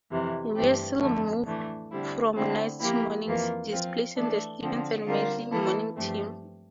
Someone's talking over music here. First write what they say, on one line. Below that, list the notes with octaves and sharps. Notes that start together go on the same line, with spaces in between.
Weasel moved from nights to mornings, displacing the Stevens and Medley morning team.
F2 C3 E3
G2 E3 A3 C4 G4
F2 D3 A3
A2 E3 A3 D4
D3 G3 C4 E4
D3 A3 C4 E4
F3 A#3 E4 G4
F2 E3 A#3 F4 A#4
F3 C4 F4
E3 A3 D4 A4
D3 F3 C4
D3 G3 C4 F4 A#4
E3 A#3 E4 A4
G2 F3 A3 C4 G4